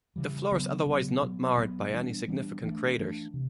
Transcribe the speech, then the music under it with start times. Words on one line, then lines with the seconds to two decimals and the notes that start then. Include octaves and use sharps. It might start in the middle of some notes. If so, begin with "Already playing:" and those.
The floor is otherwise not marred by any significant craters.
0.16 C#3 E3 G3
0.51 C#3 F#3 B3
0.86 C#3 F#3 B3
1.22 B2 F#3 B3
1.58 B2 F#3 B3
1.93 E3 G3 B3 D4
2.28 E3 G3 B3 D4
2.63 E3 A3 D4
2.98 E3 A3 D4
3.34 C3